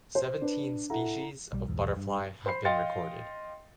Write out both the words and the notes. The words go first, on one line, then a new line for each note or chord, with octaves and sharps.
Seventeen species of butterfly have been recorded.
C5
D4 B4
E4 A4 F#5 A#5
B1 G3
B1 E2 G#2
G2
C5 B5 C7
D#5 F5 G5 C6 A6 C#7